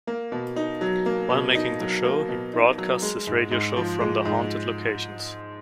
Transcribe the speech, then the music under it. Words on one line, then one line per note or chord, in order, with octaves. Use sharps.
While making the show, he broadcasts his radio show from the haunted locations.
A#3
B2
D#4
F#3
A#3
B2
D#4
F#3
A#3
B2
D#4
F#3
G#3
G#2
G#2
F3
G#3
G#2